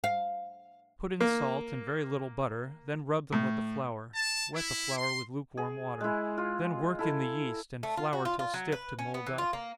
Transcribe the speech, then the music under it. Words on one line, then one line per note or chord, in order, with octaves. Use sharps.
Put in salt, and very little butter--then rub them with the flour--wet the flour with lukewarm water--then work in the yeast, and flour till stiff to mould up.
F5
A#3
A2
A5
E4
C6
G#4
G#3 E4
F4
E4 A4
A3
F4
F#4
F4
F4
F#3
B4
C#4
B3
E3
F4
A#3